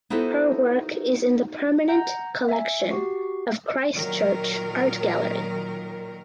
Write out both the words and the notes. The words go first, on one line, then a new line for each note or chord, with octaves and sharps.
Her work is in the permanent collection of Christchurch Art Gallery.
B3 D#4 E4 F#4 A4 C5
F#5 A#5 G6
E5 G#5
F#4 G4 F#5 C#6 C7
A#2 D#3 F#3 A#4